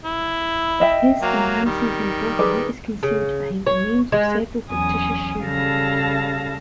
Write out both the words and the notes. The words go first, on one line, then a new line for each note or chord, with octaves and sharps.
His and Manson's involvement is concealed behind the names of several fictitious shareholders.
E4
D#5 E5 G5
F#3 A#3
D#3 G3
G#4 B4 D5
C#3
C#5
G#3
E2 F#3 C#4 G#5 D#6
C#3 G3 A4 F5 A5 A#6